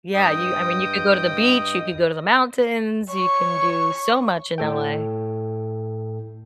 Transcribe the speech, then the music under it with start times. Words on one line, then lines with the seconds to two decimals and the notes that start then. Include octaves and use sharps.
Yeah, you I mean, you could go to the beach, you could go to the mountains, you can do so much in LA.
0.14 G2 D#5 G5 D#6
3.10 C#5 C#6
4.58 A2 A4 G5